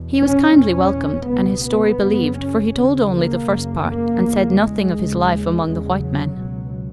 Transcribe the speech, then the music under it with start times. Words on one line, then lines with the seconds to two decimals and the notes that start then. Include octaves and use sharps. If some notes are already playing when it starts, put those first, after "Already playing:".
He was kindly welcomed, and his story believed; for he told only the first part, and said nothing of his life among the white men.
Already playing: E2 B2
0.18 C#4
0.55 E2 B2 C#4
1.27 C#2 B2 B3
1.64 B3
2.00 F#2 C#3
2.37 C#4
2.73 D#2 C#3
3.10 A#3
3.46 F#2 C#3
3.82 A#3
4.18 E2 C#3
4.55 G#3
4.91 D#2 C#3
5.28 G#3
5.65 E2 C#3
6.01 F#3
6.38 C#2 B2